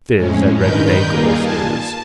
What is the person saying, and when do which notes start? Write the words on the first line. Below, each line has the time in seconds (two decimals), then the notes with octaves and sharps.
Fizz and Red bank oysters.
0.14 F2 A2 G#3 C#4
0.57 G2 D#3 A#4 B4 G6
1.08 G3 A#3 D#4 F4 G#4
1.40 G#5 A5
1.71 A5